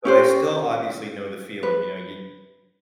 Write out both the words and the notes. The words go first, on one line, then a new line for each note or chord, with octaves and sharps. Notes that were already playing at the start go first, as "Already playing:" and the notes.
but I still obviously know the feeling, you know, you'd
C#4 G4 C5
B4